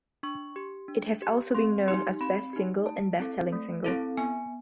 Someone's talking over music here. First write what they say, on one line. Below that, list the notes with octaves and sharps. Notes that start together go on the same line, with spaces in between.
It has also been known as Best Single and Best Selling Single.
D4 C#6
G4
D4
G4
C4 C6
D#4 G4 C6
C4 B5
D#4 G4
A3 A5
C4 E4 A4
A3
C4 E4 A4
B3 G#5